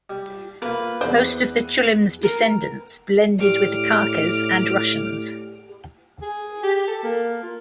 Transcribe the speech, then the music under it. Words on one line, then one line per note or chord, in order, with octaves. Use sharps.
Most of the Chulyms' descendants blended with the Khakas and Russians.
G3
A#3 F4 B4
E2 C5 D5
A#4
A2 G4 D5 D6 F6
G#4
G4
A4
A#3
F4